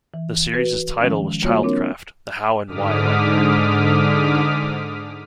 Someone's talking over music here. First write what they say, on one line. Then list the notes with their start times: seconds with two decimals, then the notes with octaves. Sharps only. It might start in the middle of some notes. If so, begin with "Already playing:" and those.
The series' title was Childcraft - The How and Why Library.
0.14 E3
0.54 F#4 B4
1.01 D#3 F3 G#3 C#4
1.42 G3 A#3 F4 F#4 C#5
1.63 C4 D4 A#4 C#5
2.67 G#2 D3 D6 D#6 F6 B6